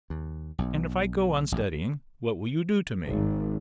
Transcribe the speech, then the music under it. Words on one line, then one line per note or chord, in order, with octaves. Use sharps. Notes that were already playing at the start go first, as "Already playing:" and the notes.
"And if I go on studying, what will you do to me?"
D#2
B1
A#1
G#1